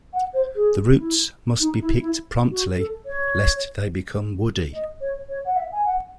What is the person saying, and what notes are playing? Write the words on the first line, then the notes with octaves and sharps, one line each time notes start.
The roots must be picked promptly lest they become woody.
F#5
C5
G#4
E4
D#4
E4
E4
F#4
A4
C#5
D#5
C#5
C#5
F#5
E5
G#5
F#5